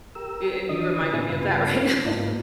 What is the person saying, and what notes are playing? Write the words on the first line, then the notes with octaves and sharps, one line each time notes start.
A and you reminded me of that right now,
G4 A#4 E6
D3 E3 D4 D#5 D#6
A#2 B3 D4 B4 E5 G#5
G2 C#3 B3 F4 B4
G#2 A#3 B3 F4